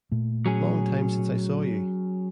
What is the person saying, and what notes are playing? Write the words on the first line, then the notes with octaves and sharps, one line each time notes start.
Long time since I saw you.
A#2 A3
F#3 C#4 G#4